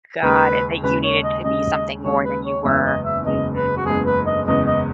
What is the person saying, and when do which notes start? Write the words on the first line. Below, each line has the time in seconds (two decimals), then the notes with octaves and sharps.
Got it, that you needed to be something more than you were, mhm, mm.
0.22 D#2 C#3 G#3 B4
0.83 D#2 C#3 G#3 B4
1.03 C#5
1.24 D#5
1.44 D#2 C#3 G#3 D#5
2.04 D#2 C#3 G#3 C#5
2.25 B4
2.45 C#5
2.65 F#1 E2 C#3 G#3 B3 E5
2.85 D#5
3.05 E5
3.26 F#1 E2 C#3 G#3 B3 D#5
3.56 B4
3.77 F#4
3.86 F#1 E2 C#3 G#3 B3 G#4
4.06 B4
4.26 D#5
4.46 F#1 E2 C#3 G#3 B3 D#5
4.67 D#5